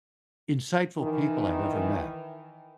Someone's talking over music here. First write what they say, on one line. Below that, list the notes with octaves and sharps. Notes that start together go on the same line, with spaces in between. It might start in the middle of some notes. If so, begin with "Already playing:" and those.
insightful people I've ever met
D#3 E3